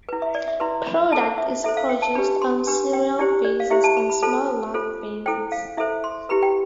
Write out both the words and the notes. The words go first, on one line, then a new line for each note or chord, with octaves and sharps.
Product is produced on serial basis and small lot basis.
E4 B4
E5
D5
E5
E4 B4 C6
B5
E4 A4 C5 A5
E5
E4 A4 C5 E5
F5
G5
A5
D4 G4 B4 B5
C6
D4 G4 B4
G5
E4 G4 C5 D5
D5
F5
E4 G4 C5 E5
A5
B5
B5
F4 A4 C5 A5
F4 A4 C5
E4 A4 C5 G5
F5
E4 A4 C5 E5
C6
E4 G4 B4 B5
G5